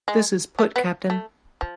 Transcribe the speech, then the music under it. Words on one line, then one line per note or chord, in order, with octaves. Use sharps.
This put Cpt.
G#3
A3
B3
A3
F3